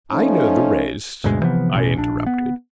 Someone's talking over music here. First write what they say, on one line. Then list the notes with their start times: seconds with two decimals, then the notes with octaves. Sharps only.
"I know the rest," I interrupted.
0.12 F3 A3 C#4 D#4
1.24 D2 G2 B2 G#3
1.40 C3 E3 F3 B3
1.73 A1 B2 C#4
1.97 A#1 D4
2.26 B3